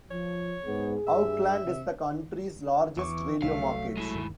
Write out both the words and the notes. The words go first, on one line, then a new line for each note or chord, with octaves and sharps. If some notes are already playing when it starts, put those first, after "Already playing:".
Auckland is the country's largest radio market.
F3 C#5
G#2 B3 G#4
G2 G3 E5
C3
E2 E3 C#6 D6
C2 F#3 A3 F5
G#3 E4
G1 D2 D#3